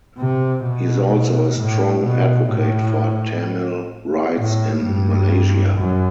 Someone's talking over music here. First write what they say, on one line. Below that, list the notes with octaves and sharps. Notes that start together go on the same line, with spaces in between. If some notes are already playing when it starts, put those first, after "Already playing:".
He is also a strong advocate for Tamil rights in Malaysia.
C3
B2
A2
B2
A2
A2
G2
F#2